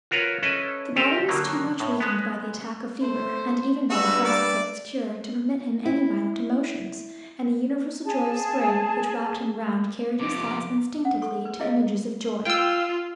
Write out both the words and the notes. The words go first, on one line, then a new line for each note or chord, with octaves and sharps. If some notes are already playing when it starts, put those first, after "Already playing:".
The body was too much weakened by the attack of fever, and even by the process of its cure, to permit him any violent emotions, and the universal joy of spring which wrapped him round carried his thoughts instinctively to images of joy.
F4 F#4 A#4 B4 C#5
C#4 E4 A4 B4 D#5
G4 A4 A#4 D#5 F5
D3 D#3 F#3 A#3
A2
G#3 B3
A3 C5
G2 F#4 B4 E6
D5
E4
G#4 A5
F2 C3 D6
F#5
A4 C#6
B4
E4 G4 G#4 D#5 F5
F4 G5 E6